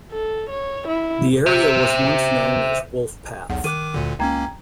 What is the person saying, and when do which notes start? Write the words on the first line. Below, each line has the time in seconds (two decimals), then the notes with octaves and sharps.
The area was once known as "Wolfpath".
0.12 A4
0.50 C#5
0.88 E4
1.46 C5 E5
3.50 B1 E2 F#5
3.64 D#3 D6 F#6 D#7
3.94 D2 A#2 D3
4.19 C#2 A#3 C#4 G5 A#5 G#6